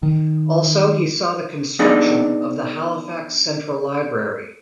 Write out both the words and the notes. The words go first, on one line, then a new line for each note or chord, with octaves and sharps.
Also, he saw the construction of the Halifax Central Library.
D#3
B3 D4 D#4 G#4 D5